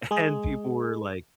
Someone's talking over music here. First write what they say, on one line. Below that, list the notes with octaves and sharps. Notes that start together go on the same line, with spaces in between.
and people were like
G#3 G#4